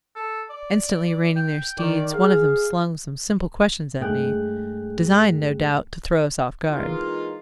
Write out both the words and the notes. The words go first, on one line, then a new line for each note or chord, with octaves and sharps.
Instantly reining their steeds, one of them slung some simple questions at me, designed, no doubt, to throw us off guard.
A4
D5
G5
D#3 D5
G#4 F5
G2 G#3 A3 G#4 G5 F#6
E3 G#3 A#3 D#4 F4